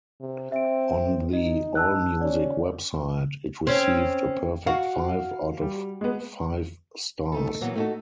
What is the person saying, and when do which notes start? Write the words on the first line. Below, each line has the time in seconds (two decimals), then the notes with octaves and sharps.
On the AllMusic website, it received a perfect five out of five stars.
0.20 C3
0.52 C4 E5 D7
1.33 D#4 D#5
1.75 A5 E6 F#6
2.21 C#4 D5
3.67 C4 C#4
4.67 F#4 F5
5.61 G3
6.01 G#3 B3
7.32 A3 D#4 A4
7.61 A#2 E3 F#3 A#3 B3
7.75 A3 B3 D#4 F4 F#4 A4